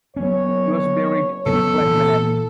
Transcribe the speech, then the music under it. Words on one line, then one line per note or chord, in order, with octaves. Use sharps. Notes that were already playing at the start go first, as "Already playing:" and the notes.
He was buried in Clackmannan.
F#1 F#3 B3 C#4 C#5
C#3 F#3 B3 A4
A#2 E3